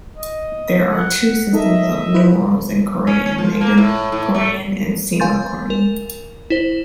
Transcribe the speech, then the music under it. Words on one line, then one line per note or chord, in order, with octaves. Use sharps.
There are two systems of numerals in Korean: native Korean and Sino-Korean.
D#5
F#5
D#4 A4 A#4 D#5 E5
E4 B4 C5
C#4
C#4
F3
A#3
A2
A2
A3
F5 G#5 C6 G6 A6
A#4
E4 C5